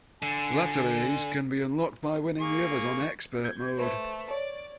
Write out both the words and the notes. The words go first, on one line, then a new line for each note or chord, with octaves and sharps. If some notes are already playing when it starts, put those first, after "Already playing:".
The latter of these can be unlocked by winning the others on "Expert" mode.
D3 G#5
A#3 G#4 C#6
G6 G#6
A3 B4 C5
C#5 D5